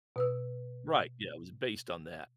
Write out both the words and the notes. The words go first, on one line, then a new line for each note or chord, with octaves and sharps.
Right, yeah, it was based on that.
B2 B4 E6